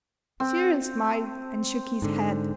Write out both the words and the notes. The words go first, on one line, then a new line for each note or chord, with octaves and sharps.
Cyril smiled, and shook his head.
C4
G#2 D3